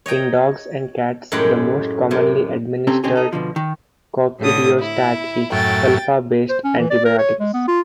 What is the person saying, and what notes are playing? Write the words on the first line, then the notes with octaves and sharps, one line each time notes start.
In dogs and cats, the most commonly administered coccidiostat is sulfa-based antibiotics.
C#5 D#5 G5 A#5
F#2 A2 G#3 G4 F#5 G5
F#2 C3
C3 C4 C#4 G4 A4
B2 D3 C4 C#4 G4 G#4
D#4 A4
B2 D3 F3
D#3
A2 D3 D#6
E4
F#2 A2 G5 A6
C5
C#4
E3
D5
A#4
C#5
G#3
B3
F4